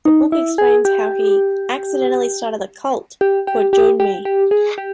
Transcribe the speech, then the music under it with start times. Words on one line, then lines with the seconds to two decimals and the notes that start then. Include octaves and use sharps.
The book explains how he "accidentally started a 'cult'" called Join Me.
0.05 D#4
0.32 E4
0.58 G#4
0.85 G4
3.21 G4
3.47 G4
3.73 G4
4.00 G4
4.25 G4
4.51 G#4
4.78 G4